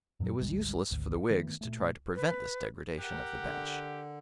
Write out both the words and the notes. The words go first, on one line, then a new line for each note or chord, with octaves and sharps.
It was useless for the Whigs to try to prevent this degradation of the bench.
F#2 A#2 F3 F#3
G#1 D2 G3 G#3
G#1 D2
D#3 A3 B3
A#2 A3
B4
G4 A#4 F#5
D3